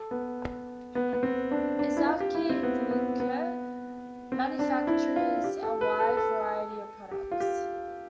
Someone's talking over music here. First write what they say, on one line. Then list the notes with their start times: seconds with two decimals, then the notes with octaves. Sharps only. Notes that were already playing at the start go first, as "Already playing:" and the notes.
Ezaki Glico manufactures a wide variety of products.
Already playing: A4
0.11 B3
0.95 B3
1.13 B3
1.23 C4
1.51 D4
1.79 D4
1.97 E4
2.07 F4
2.20 G4
2.35 E4
2.49 C4
2.63 B3
2.91 B3
3.20 B3
4.32 C4
4.59 D4
4.87 E4
5.16 F4
5.44 G4
5.63 A4
5.81 B4
6.00 A4
6.08 B4
6.17 A4
7.11 G4
7.31 F4
7.40 G4